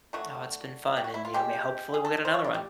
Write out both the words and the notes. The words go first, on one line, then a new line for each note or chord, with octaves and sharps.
Oh, it's been fun, and, you know, may hopefully, we'll get another one.
D3 F#3 A3 F#4
G4
F#4
E4
F4
B2 G#3 C4 G4
G#4
A4
C5
C#5
D5
G3